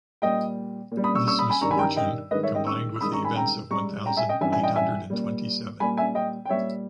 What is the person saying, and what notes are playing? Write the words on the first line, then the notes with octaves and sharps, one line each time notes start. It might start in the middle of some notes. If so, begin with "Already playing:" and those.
This misfortune combined with the events of one thousand eight hundred and twenty-seven.
A#2 G3 D#5 G5
A#2
G3
B5 D#6
C#6 E6
C#6 E6
B5 D#6
G#5 B5
G2 D#3 G3 A#5 C#6
G#5 B5
G5 A#5
D#5 G5
G#2 D#3 G3 B4 D#5
C#5 E5
D#5 G5
C#6 E6
E6
G#2 D#3 G3 B5 D#6
A#5 C#6
G#5 B5
G5 A#5
G#2 G3 A#5 C#6
G5 A#5
E5 G#5
D#5 G5
G2 E3 G3 E5 G#5
E5 G#5
D#5 G5
E5 G#5
A#2 G3
A#2 G3 G#5 B5
E5 G#5
D#5 G5
G5
A#2 G3 C#5 E5